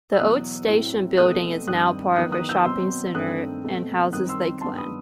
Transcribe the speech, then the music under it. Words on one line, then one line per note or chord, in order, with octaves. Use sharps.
The old station building is now part of a shopping centre and houses Lakeland.
E6
E2 B2 F#3 D#6 F#6
A2 F#3 C4
E2 B2 A3 C4 D#6 F#6
G2 D#3 G3 C4 D#6 F#6
E2 D#3 F#3 B3 D#6 F#6
D#6 F#6
E6 G6
B2 F#3 C4 C6 E6
G2 D#3 A3 C4 D#6 F#6
B2 A3 C4
F#2 D#3 G3 C4 D#6 F#6
C6 E6
G2 D#3 F#3 B3 A5 C6
B5 D#6